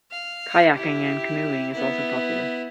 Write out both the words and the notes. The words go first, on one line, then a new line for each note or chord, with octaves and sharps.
Kayaking and canoeing is also popular.
F5
E4 G4
B3 E4